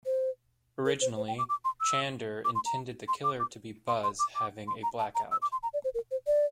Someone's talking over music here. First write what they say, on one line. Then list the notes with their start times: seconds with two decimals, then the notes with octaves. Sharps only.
Originally, Chander intended the killer to be Buzz having a blackout.
0.06 C5
0.85 A#4
1.01 C5
1.17 C5
1.28 G5
1.39 D6
1.49 D6
1.65 C6
1.81 E6
2.45 D6
2.55 C6
2.66 A#5
3.08 C6
3.24 D6
3.40 D6
3.88 C6
4.03 C6
4.20 D6
4.35 D6
4.68 C6
4.83 A#5
4.99 A5
5.15 A#5
5.31 E6
5.42 D6
5.52 C6
5.63 A#5
5.73 D5
5.84 C5
5.95 A#4
6.11 C5
6.27 D5